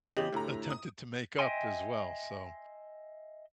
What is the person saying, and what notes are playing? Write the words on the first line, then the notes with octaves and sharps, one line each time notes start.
attempted to make up as well, so
E2 C#3 G4 D#5 F#7
D2 A2 E4 A#5
D#6
D#5 E5 G5 G#5 C6